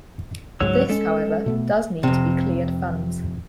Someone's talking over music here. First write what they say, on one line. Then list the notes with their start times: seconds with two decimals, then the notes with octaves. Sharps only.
This, however, does need to be cleared funds.
0.60 C#2 G#2 F#3 C#5 E6
0.89 G#3 C#4 A4
1.46 B2 A3 B3
2.03 F2 C3